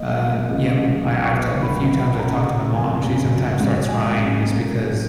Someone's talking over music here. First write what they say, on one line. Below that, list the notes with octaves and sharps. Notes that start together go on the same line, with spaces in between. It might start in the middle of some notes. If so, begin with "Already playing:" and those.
uh yeah, m I I've t the few times I've talked to my mom, she sometimes starts crying just because
Already playing: A#3 D#5
A#3
F5
C#2 D#5
D#5
C#2
B1 F5
C#6
B2
C#6
B1 B5
B1
C#3 A#5
C#3
F1 G#5
C#3
F#3
G#2
F#3 G#5
C#4
A#3
F#3